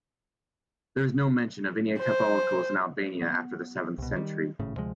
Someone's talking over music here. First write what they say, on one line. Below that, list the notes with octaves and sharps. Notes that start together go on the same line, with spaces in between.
There is no mention of any catholicos in Albania after the seventh century.
C5
B3
C2 B2
D#3 G3
G#1 A2 C#3
D2 C3 F3 G#3